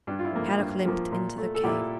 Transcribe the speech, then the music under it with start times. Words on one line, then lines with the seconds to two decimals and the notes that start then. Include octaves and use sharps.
Kadok limped into the cave.
0.07 G2 D4
0.19 F4
0.25 E4
0.33 F3 A#3
0.42 E4
0.59 G2
0.85 F3 A#3
1.12 A#2
1.38 A3
1.55 A4
1.64 A#2 E4 G4